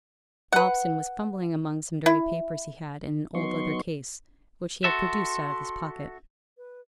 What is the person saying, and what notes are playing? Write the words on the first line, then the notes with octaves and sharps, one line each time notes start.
Robson was fumbling among some dirty papers he had in an old leather case, which he had produced out of his pocket.
B4 F#5
E4
F#3 B3 D#4 C6 C#6
F#4 A4 E5 C6
B4